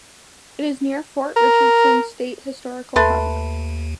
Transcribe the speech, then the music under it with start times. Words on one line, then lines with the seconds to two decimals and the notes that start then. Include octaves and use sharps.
It is near Fort Richardson State Historical Park.
1.36 A#4
2.96 D#2 A3 B4 C6